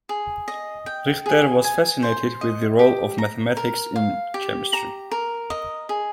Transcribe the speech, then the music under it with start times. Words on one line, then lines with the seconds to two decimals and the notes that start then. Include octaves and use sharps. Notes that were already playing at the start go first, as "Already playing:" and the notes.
Richter was fascinated with the role of mathematics in chemistry.
0.09 G#4
0.48 D#5
0.86 G5
1.26 G#4
1.64 G#5
2.02 C5
2.41 D#5
2.79 G4
3.18 A#5
3.57 A#4
3.96 F5
4.34 G4
4.73 A#5
5.11 A#4
5.50 D#5
5.89 G#4